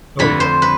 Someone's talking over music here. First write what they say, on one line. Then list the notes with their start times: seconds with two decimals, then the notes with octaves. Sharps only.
Oh, yeah.
0.19 F2 D3 A3 B5
0.40 C5
0.62 B4